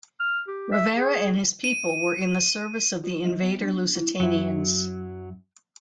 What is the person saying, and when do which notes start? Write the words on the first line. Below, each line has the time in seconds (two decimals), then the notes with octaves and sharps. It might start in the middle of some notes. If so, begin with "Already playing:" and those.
Rivera and his people were in the service of the invader Lusitanians.
0.20 F6
0.48 G4
0.72 E5
0.97 G#4
1.64 D#7
3.04 F4
3.25 F#3
3.42 B3
3.62 D4
3.95 E4
4.20 F#2 F#3 E4